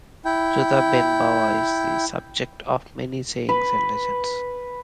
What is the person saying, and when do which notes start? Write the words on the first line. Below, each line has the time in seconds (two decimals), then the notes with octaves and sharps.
Judah ben Bava is the subject of many sayings and legends.
0.25 E4 G5
3.49 B4